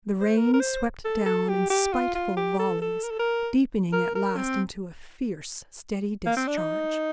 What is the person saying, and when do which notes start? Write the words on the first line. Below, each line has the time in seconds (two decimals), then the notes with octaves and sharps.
The rain swept down in spiteful volleys, deepening at last into a fierce, steady discharge.
0.21 C5
0.37 A#4
0.53 A#4
0.60 C5
1.05 A4
1.26 A4
1.49 G4
1.70 G4
1.93 F4
2.15 F4
2.37 G4
2.59 A4
2.82 A4
3.04 A#4
3.11 A4
3.19 A#4
3.92 A#4
4.15 A#4
4.37 C4
6.26 A#3
6.37 C4
6.47 D4
6.58 D#4